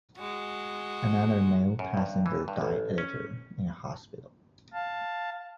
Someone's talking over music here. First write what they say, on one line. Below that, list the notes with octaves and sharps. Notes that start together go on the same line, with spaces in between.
Another male passenger died later in hospital.
G#3 F#4
F#2
G2
E3
G2
A1
C#4
F5 A5